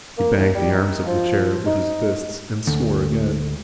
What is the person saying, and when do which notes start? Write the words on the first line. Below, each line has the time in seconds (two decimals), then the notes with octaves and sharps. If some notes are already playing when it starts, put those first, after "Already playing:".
He banged the arms of the chair with his fist, and swore again.
0.17 A#3
0.36 D#2
0.55 G3
0.72 D#3
1.05 F3
1.66 D#4
2.67 D2